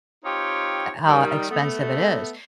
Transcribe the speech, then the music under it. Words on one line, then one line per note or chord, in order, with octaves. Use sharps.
how expensive it is.
C4 D#4 F4 G4 C#5
D#3 G3
A3 B3